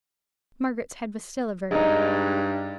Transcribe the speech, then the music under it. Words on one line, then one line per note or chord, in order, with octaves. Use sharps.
Margaret's head was still averted.
G2 G#3 D#4